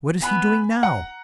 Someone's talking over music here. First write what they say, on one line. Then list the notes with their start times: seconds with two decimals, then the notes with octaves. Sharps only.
What is he doing now?'
0.22 B3 G#5 B5
0.83 F#5 A#5